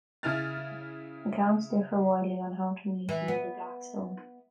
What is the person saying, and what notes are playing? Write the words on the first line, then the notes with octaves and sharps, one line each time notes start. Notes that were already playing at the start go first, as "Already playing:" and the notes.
Accounts differ widely on how to make and use a 'black stone'.
C#3 E4 G#5 F6 A6
E3
B3